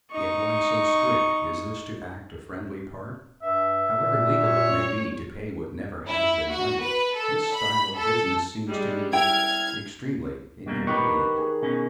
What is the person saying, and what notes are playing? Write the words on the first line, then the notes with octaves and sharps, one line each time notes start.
Yet why so strict? Is this to act a friendly part? However legal it may be To pay what never has been lent, This style of business seems to me Extremely inconvenient!
D#4 C#6
G2 E5
A#2
C#5
E4
F#4
B4
A4
B5
A4
G3 G#3
E4 G5 F6 G#6
B2 G3 A#3
D#3 G4 B4 C#5 B5
G#4
B2 C#4